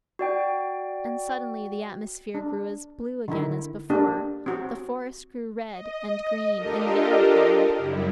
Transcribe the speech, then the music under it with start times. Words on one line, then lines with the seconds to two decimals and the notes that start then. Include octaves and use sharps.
And suddenly the atmosphere grew as blue again as before; the forest grew red, and green, and yellow-colored.
0.19 F#4 D5 G5
2.34 D4
3.28 D3 D#3 E4
3.90 A#3 D4 G4
4.46 C4 F#4
5.69 D#5
6.55 D4 F4 G4 A4 A#4 D#5
7.77 F#2 C#3 F#3 G3 E4